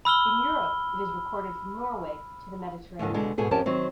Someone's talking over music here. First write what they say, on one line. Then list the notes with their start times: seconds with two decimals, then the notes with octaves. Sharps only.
In Europe it is recorded from Norway to the Mediterranean.
0.05 B5 E6 F6 G7
2.99 D#2 G#2 D3 D#3
3.14 B2 D3 G#3 D4
3.38 G#2 B2 B3 G#4 A4
3.51 F2 F3 C#4 G4 A#4 A5
3.66 D#3 F#3 C4